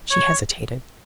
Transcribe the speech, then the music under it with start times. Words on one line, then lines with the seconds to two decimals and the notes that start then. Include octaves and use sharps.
She hesitated.
0.11 C#5